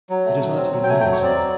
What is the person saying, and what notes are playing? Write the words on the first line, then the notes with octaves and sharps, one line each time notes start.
'It is not to be known, sir.
F#3
A3
F#3
C4
F#3
G5
A3 G#5
G5
F#3
C#5
C4 D5
F#3